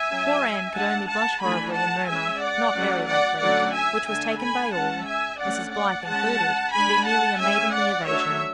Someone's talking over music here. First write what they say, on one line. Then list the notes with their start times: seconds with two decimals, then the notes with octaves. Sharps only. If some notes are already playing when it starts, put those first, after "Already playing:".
Poor Anne could only blush horribly and murmur, "not very lately," which was taken by all, Mrs. Blythe included, to be merely a maidenly evasion.
Already playing: E5 G#5
0.09 F#3 C#4
0.75 G#3 D4 F#5 A5
1.08 F#5 A5
1.42 E3 A3 D4 G#5 B5
1.75 F#5 A5
2.08 G#3 C#4 E5 G#5
2.41 D5 F#5
2.74 F#3 A3 C#4
3.07 D5 F#5
3.41 D3 F#3 A3 C#4 D5 F#5
3.74 E5 G#5
4.07 D3 A3 D4 E5 G#5
4.41 G#5 B5
4.74 G#3 C#4 F#5 A5
5.07 E5 G#5
5.40 D3 A3 C#4 D5 F#5
5.73 D5 F#5
6.07 G#3 C#4 F#5 A5
6.73 G#3 D4 G#5 B5
7.06 F#5 A5
7.40 G#3 C#4 E5 G#5
7.73 D5 F#5
8.06 F#3 A3 D4 C#5 E5